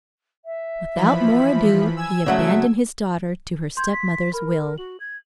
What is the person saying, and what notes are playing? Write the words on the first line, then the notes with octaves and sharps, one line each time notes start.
Without more ado, he abandoned his daughter to her stepmother's will.
E5
E3 F3 B5
G#5 E6 G#6
C#3 F#3 A3 E5
C6 G6 G#6
B6
A#4 B5
F#4 F#7
G#6